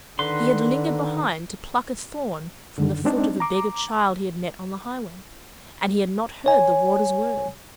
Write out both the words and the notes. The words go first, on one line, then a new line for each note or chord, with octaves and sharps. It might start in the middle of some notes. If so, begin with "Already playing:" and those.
He had lingered behind to pluck a thorn from the foot of a beggar child he had met on the highway, and he had not heard the Warder's words.
D3 D#3 B4 C6
F#2 D3 D#3
G#3 C4 D4 D#4
A#5 D6
C#5 G#5